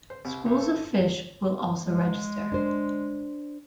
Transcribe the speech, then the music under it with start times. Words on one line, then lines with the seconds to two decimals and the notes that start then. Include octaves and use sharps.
Schools of fish will also register.
0.10 C5
0.25 C2
0.46 B1
0.60 A4
1.84 G#3
2.52 D4 C5